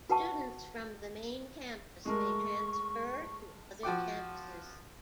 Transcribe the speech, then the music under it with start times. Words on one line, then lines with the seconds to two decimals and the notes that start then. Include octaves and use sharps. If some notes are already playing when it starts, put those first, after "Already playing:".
Students from the Main Campus may transfer to other campuses.
0.09 F#4 B4 F#5 A5 C#6
2.05 G#3 A3 A#4 C#6
3.83 F3 F#4 G5 D6